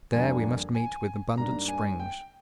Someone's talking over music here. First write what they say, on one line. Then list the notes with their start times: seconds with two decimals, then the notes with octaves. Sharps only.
There we must meet with abundant springs.
0.12 F2 D3 G3 A#3 D4 G#5
0.75 G#5
1.37 G#2 G3 A#3 D4 A#5
1.68 G#5
2.00 G5